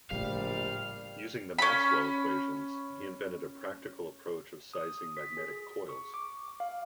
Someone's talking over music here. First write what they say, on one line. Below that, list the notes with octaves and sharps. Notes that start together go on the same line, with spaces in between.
Using the Maxwell equations he invented a practical approach of sizing magnetic coils.
A#1 A2 C#3 G3 F5
C#4 B5
D#6
B6
G#4
C#6
D6
F5